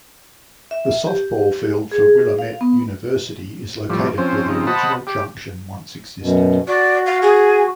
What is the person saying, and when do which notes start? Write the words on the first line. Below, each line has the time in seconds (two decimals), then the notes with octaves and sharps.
The softball field for Willamette University is located where the original junction once existed.
0.71 E5
1.07 G4
1.92 G#4
2.39 F5
2.61 B3
3.90 A2 F3 G3
4.18 F3 C4 C#4 C5
4.48 C#3 F3 C4 D#4
4.67 C5 D#5 F#5 A5 B5
5.07 G4
6.22 F#2 B2
6.68 F#4 D5
7.06 F5
7.22 G#4